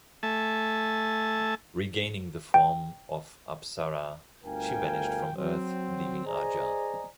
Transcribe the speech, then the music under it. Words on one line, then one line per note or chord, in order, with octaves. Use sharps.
Regaining the form of apsara, she vanished from earth leaving Aja.
A3 A4 E5 G#5 A5
G5
G1 D2 A#4 F5 G5 G#5
F#3 C4
G#4 C5 D5 D#5 G#5 A#5